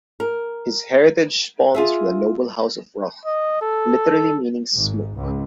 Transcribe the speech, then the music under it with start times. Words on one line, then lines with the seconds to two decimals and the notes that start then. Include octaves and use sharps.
His heritage spawns from the noble house of "Rauch" literally meaning 'Smoke'.
0.20 A#4
1.74 F4 G#4 E5
3.26 D#5
3.62 A4
4.75 G#1 G#2
5.15 C#2